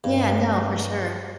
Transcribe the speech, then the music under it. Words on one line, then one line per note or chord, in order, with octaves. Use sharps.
Yeah, no, for sure.
G2